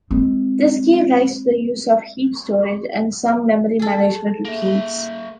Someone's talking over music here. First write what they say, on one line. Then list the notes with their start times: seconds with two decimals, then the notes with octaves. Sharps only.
This gave rise to the use of heap storage and some memory management routines.
0.11 G#3 C4
3.79 G#4 A4
4.45 A#3 E5